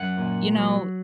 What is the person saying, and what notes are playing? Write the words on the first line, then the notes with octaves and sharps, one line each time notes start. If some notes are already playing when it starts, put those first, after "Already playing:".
you know,
Already playing: F#2 F#5
A#2
F#3